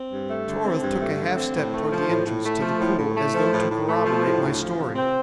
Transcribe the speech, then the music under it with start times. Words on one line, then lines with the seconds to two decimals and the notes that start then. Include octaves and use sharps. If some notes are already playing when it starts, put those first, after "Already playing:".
Torith took a half step toward the entrance to the pool as though to corroborate my story.
Already playing: C4
0.11 G2
0.29 A3
0.47 D3
0.64 C4
0.83 G2
1.00 A3
1.19 D3
1.36 C4
1.55 A2
1.72 A3
1.91 F3
2.09 A2
2.26 A2
2.44 A3
2.62 F3
2.80 A2
2.99 A2
3.16 A3
3.34 F3
3.52 A2
3.70 A2
3.88 A3
4.06 F3
4.24 A2
4.42 D2
4.60 F3
4.78 C3
4.96 C4